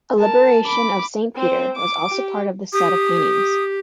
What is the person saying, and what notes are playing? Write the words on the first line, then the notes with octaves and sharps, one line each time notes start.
A "Liberation of Saint Peter" was also part of this set of paintings.
A#4 A5
B5 D6
C4 C5
D6
G4
G4 D#6